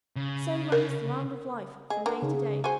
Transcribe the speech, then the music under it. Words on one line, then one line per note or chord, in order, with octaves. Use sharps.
So runs the round of life from day to day.
C#3
A#4
G#4 D#5
D3 A#4 B4
C#3 D#4
G#4
F#4 G#4 C5 G#5